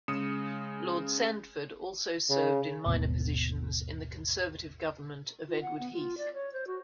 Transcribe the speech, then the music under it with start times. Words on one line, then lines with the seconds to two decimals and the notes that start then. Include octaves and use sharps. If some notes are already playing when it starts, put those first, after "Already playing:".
Lord Sandford also served in minor positions in the Conservative government of Edward Heath.
0.08 C#3 G#3 D#6 C#7 E7
2.30 C#3
2.86 G#1 D#2 B2
5.49 F4
5.62 F#5
5.79 B3
5.93 F4
6.18 D5
6.34 C#5
6.53 C5
6.67 F#4